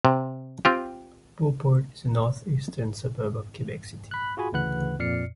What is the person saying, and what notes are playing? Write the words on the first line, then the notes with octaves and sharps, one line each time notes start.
Beauport is a northeastern suburb of Quebec City.
C3
C4 F4 G4
B5 F#6
F4 F#4 G#4 G#5 B5
D2 C#3 E3 B4 F#5 F#6
F2 A#2 D5 F6 C7 C#7